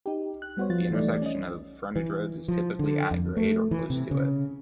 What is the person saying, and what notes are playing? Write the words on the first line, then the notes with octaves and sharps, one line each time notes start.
The intersection of the frontage roads is typically at grade or close to it.
D#4 G4
F#6
G3 B3 F#4 C5 C#5
F3 F4 A6
E3 G3 A3 D#4 D5
C#4 D#5
E3
F3
D3
F2
A3
E3
C3
C#3